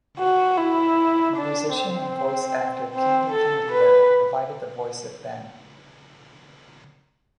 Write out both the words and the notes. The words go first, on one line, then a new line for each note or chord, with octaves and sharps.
Musician and voice actor Candy Candido provided the voice of Ben.
F#4
E4
D4
C4
C4
A4
B4